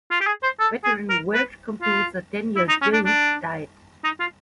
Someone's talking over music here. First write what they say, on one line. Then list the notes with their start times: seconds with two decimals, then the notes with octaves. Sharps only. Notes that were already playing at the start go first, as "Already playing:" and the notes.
Veteran Welsh composer Daniel Jones died.
0.11 F4
0.21 G4
0.26 G#4
0.43 C5
0.60 A4
0.84 G#4
1.10 A#4
1.34 B4
1.82 F4
2.56 E4
2.69 D#4
2.82 C#4
2.93 D4
3.05 D4
4.04 D#4
4.20 F4